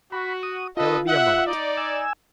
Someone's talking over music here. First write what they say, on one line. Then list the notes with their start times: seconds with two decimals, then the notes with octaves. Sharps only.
There will be a moment!
0.12 F#4 B5
0.43 D#6
0.77 F4 A4 B4 D#5
1.08 E5 F#5
1.47 D#4 D5
1.77 G#5 E6